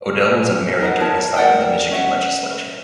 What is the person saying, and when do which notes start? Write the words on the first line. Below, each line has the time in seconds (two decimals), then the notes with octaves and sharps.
Odell was unmarried during his time in the Michigan Legislature.
0.81 D#4 A#4 B4 F#5
1.00 A#4 C#5 A5
1.36 A#4 D5 F#5 G5
1.91 C#4 E5 F#5